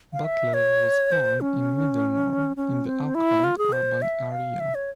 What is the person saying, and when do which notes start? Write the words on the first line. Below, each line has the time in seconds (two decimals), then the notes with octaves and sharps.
Butler was born in Middlemore in the Auckland urban area.
0.13 F5
0.24 E5
0.54 C#5
1.12 C5
1.41 C#4
2.57 C#4
2.86 C4
3.15 E4
3.44 F4
3.58 G#4
3.72 C5
4.02 E5
4.32 F5
4.60 E5
4.75 C#5